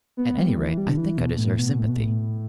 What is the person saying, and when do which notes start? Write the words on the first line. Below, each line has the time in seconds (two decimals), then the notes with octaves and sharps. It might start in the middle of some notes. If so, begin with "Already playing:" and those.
At any rate I think I deserve sympathy.
0.17 B3
0.38 G3
0.58 E3
0.78 G3
0.88 D3
0.97 E3
1.18 B2
1.38 A2
1.59 B2
1.79 A2
1.89 B2
1.99 A2